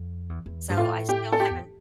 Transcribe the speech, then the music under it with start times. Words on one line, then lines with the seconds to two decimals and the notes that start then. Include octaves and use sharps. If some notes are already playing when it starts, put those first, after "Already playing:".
so, I still haven't
Already playing: F2
0.29 E2
0.46 E2
0.70 G2
0.77 A2 F4
1.09 G4
1.32 A4
1.40 G4
1.50 E2